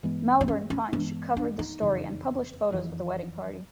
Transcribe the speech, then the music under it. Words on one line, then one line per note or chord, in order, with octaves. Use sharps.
Melbourne Punch covered the story and published photos of the wedding party.
G2 E3 G#3 B3
C4
C#4
C#4
G2 E3 G#3 B3 D4
D4
D#4
F#1 F2 C#3 E3
F#1 F2 C#3 E3